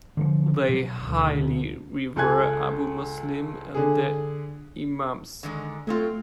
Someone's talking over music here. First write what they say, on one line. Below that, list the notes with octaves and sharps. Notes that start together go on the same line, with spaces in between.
They highly revere Abu Muslim and their imams.
D3 E3 F3
B2 F#3
D2
C#2 A4 G#5 F#6 G#6
D3 G#4
D3 D#3 G#3
F#3 A3 C4 F4